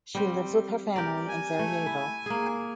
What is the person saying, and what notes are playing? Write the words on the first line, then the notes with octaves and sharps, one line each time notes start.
She lives with her family in Sarajevo.
G3 C4
G4 A#4 D5
G#5
A3
E4
A#3 G#4